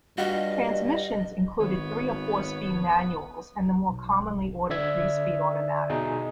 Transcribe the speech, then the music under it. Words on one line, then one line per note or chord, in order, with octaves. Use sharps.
Transmissions included three- or four-speed manuals and the more commonly ordered three-speed automatic.
G2 G3 F4 F#4 D#5
G#1 D#3 B3 C#5
B1
D3 D5 E5 G#6
B2 D#4 G#4